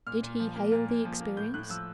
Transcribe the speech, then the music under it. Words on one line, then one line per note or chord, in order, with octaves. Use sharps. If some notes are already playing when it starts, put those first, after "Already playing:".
Did he hail the experience?
A#2 F6
A#2
F3
A#3
A#2
A#2
F3
A#3
A2 G6
A2 F#6
F3 E6